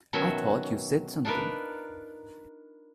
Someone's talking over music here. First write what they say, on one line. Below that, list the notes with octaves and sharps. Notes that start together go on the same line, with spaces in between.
I thought you said something.
B2 D#3 F#3 C#4 F#4 E5
D4 D#4 F4 A#4 B4